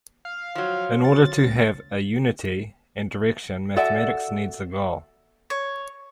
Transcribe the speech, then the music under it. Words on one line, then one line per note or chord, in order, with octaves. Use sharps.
In order to have a unity and direction mathematics needs a goal.
F5
F3 F#3
A6
C#2
F#4 A4 D5 E5 F#5 G#5
C#5